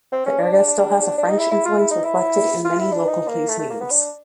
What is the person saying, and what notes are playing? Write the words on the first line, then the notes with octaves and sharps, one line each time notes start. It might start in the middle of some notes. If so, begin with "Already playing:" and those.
The area still has a French influence, reflected in many local placenames.
C4
C#4
D4
D4
D4
D#4
E4
E4
F4
E4
D#4
E4
F4
E4
D4
D#4
A#3
A3
A3
A#3
B3
D4